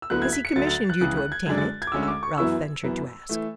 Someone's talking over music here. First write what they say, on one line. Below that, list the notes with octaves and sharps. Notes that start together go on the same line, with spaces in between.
"Has he commissioned you to obtain it?" Ralph ventured to ask.
E6
D2 D3 F#3 B3 E4 F#6
G#6
B6
C#7
D2 D3 F#3 A6
A6
F#6
C#2 C#3 E3 F#6
F#6
G#6
F#2 D3 G#3 D4 G#6
A6
G#6
D6
D2 D3 G#3 C#4 E6
E6
D6
C#6
F#2 E3 B3 E4 E6
F#2 E3 B3
E3 A3